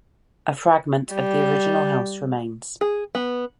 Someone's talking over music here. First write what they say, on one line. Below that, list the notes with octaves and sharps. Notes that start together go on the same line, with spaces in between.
A fragment of the original house remains.
G3
G#4
B3